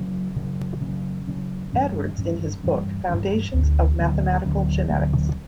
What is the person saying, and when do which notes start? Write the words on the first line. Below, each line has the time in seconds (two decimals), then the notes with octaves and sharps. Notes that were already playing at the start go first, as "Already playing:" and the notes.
Edwards in his book "Foundations of Mathematical Genetics".
Already playing: C#3 F#3 C#4
0.36 C#3 F#3 C#4
0.81 C#3 F#3 C#4
1.27 C#3 F#3 C#4
1.72 G2 E3 G3 C#4
2.18 G2 E3 G3 C#4
2.63 G2 E3 G3 C#4
3.09 G2 E3 G3 C#4
3.54 D2 D3 F#3 B3
3.99 D2 D3 F#3 B3
4.45 D2 D3 F#3 B3
4.90 D2 D3 F#3 B3